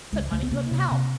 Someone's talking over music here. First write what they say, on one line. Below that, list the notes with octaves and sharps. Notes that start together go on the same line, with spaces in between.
Said money couldn't help.
C#2 G#3
C#2 A3
B3
C3 A#3
C3
C3